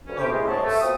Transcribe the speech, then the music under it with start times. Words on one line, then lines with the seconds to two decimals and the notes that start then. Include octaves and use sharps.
Oh, gross.
0.07 D2 G2 C#4
0.19 A3 G4
0.31 C#3 G#3 C#4 E4 D#5 C6
0.48 C3 C#5 F#5 A5
0.64 A3
0.80 B2 C4 F4 D#6